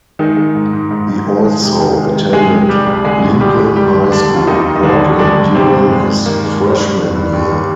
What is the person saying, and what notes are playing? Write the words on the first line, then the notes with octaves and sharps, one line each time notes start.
He also attended Lincoln High School in Portland during his freshman year.
D#3 G#3 D#4
G#3
G#2
G#2
G#2
G#2
D#3
G#3
C3
D#3
G#3
D#3
C3 G#3 G#4
C3
G3 G#3 G4
C2
D3 G#3 G#4
D#2
G3 G#3 G4
G#3
D3 G3 G4
D#2
D#2 D3 D4
D#2
F4
D#2 D#3 D#4
D#2
D#4
D#2 D3 D4
D#2
D3 G#3 D4
D#2
D#2 C3 C4
D#2
G2 G#3
D#3
D#3 A#3
G#3
G2
G2
D#3
G2
D#2
G3